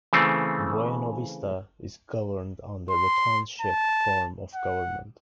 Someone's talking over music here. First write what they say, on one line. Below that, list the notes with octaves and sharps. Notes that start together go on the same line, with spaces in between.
Buena Vista is governed under the Township form of government.
C#3 E3 A3 C4
C6
A5
F#5